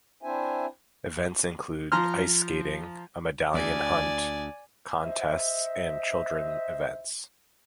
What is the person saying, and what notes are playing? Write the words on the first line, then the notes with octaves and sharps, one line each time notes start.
Events include ice skating, a medallion hunt, contests and children events.
C4 D4 E4 C5 E5 G#5
F3 A#5 C6 F6
D2 D5 G#5
C5 D#5 E5